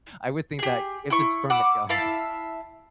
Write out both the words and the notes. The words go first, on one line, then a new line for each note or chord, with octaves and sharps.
I would think that if it's from a guy
G4 G#4
E4 C#6
F#5 B5 D6 E6
E4 E5 F5 A5